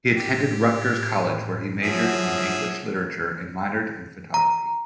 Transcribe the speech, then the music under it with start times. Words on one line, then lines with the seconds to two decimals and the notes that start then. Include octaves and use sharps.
He attended Rutgers College where he majored in English literature and minored in Photography.
0.16 A2 G4
1.82 F3 F#3 G#4 E5
4.34 A#5